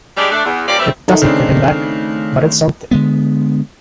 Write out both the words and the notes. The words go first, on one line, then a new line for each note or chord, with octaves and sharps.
It doesn't bring him back, but it's something.
G3 G#3 D4 G4
A3 D4
E2
F3 A#3 C#4 G4 D5
G3 A3 C4 B4 E5
D#3 A3 D#4
C#3 C4 D4
D3 G#3 B3